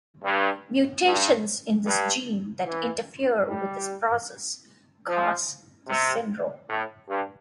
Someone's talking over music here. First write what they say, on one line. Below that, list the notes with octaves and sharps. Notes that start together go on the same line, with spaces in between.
Mutations in this gene that interfere with this process cause this syndrome.
G2
G2
G2
E3
G3
F3
C3
A2
G2